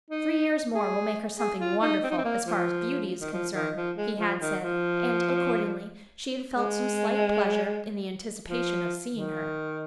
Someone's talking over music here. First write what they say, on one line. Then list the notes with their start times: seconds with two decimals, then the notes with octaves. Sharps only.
"Three years more will make her something wonderful, as far as beauty is concerned," he had said; and, accordingly, she had felt some slight pleasure in the anticipation of seeing her.
0.10 D#4
0.75 G#4
1.39 G#4
1.61 F4
1.82 D#4
2.04 C4
2.11 D#4
2.18 C4
2.25 A#3
2.46 F3
3.21 D#3
3.33 F3
3.54 D#3
3.76 F3
3.97 G#3
4.19 F3
4.40 D#3
4.62 F3
6.55 G#3
8.48 F3
9.13 D#3